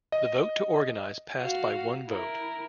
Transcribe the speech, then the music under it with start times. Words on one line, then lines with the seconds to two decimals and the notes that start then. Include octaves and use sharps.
The vote to organize passed by one vote.
0.12 D#5
1.40 F#4 F5
2.08 E4 A#4